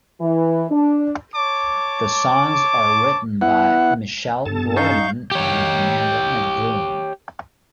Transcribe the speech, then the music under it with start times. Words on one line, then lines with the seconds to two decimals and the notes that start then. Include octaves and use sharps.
The songs are written by Michelle Brourman and Amanda McBroom.
0.20 E3
0.71 D4
1.36 C#5 A5 D6
3.41 B3 E4 F#5
4.46 G2 B3 A4 A5
4.77 C#4 D#4 F5 C#6 G6
5.32 G4 C#5